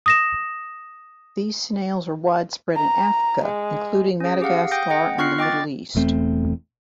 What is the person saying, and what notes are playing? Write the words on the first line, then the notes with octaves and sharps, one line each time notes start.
These snails are widespread in Africa including Madagascar and the Middle East.
D#6 A#6 E7
A#5
G#3
C#4 G#4
G4 G#4 F5 F#5
G5 D#6 G6 A#6
G#4 D#5 F#5 G5
B3 F4 C#6 F6 F#6 C7
D#5 G5 D6 A6
E1 E2 A3 C4